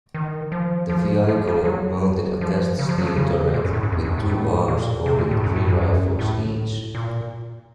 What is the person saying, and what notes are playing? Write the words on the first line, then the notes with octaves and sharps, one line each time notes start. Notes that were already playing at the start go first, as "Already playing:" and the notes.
The vehicle mounted a cast steel turret with two arms holding three rifles each.
D#3
F3
F3
F3
F3
F#3
F3
C#3
F3
F#3
F3
C#3
A#2
F#2
A2
F#2
F2
F#2
A2
A2
A#2
C3
A#2
A2
F#2
A2
F#2
F#2
A2
A#2